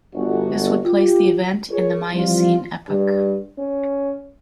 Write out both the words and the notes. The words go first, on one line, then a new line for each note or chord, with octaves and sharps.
This would place the event in the Miocene epoch.
G1 F#4
F4 G4
F4 G#4 A#4 B4 C#5
E3 F3 G3 C4 F4
G2
C#4